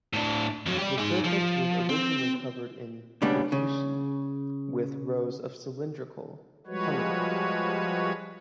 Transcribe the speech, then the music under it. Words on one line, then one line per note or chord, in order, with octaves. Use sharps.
The surface was originally covered in "fukiishi" with rows of cylindrical "haniwa".
A2 D4
F2 F#3
G4 D5
D#4 G#4
F3
C4
A2 C#3 G3 B3 D4
C#3
F3 G3 G#3 F#4 B4 C#5